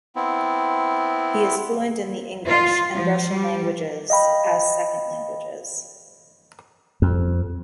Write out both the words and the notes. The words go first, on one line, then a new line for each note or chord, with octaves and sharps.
He is fluent in the English and Russian languages as second languages.
B3 C4 E4
F4
F3
G3
D#5 F5 G5 B5
F2